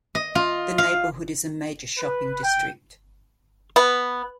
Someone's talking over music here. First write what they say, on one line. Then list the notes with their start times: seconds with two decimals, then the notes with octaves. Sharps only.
The neighborhood is a major shopping district.
0.15 D#5
0.35 F4
0.78 F5
1.97 B4
2.44 G5
3.76 B3